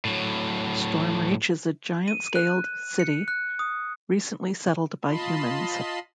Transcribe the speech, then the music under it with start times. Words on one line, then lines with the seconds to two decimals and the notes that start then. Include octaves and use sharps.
Stormreach is a giant-scaled city, recently settled by humans.
0.05 A2 F#3
2.08 D#7
2.36 F#6
2.99 C#7
3.28 F#6
3.59 D#6
5.07 F4 D#5 A5 B5 C6